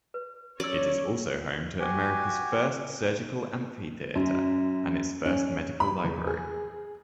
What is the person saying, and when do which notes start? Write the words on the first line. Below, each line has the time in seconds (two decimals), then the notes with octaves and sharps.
It is also home to America's first surgical amphitheatre and its first medical library.
0.14 B4
0.60 F#3 C#4 F#4 C#5 D5 E6
1.79 F#4 G4 G#5
4.15 F#2
5.26 C#4
5.80 B5
6.04 E2
6.27 G#4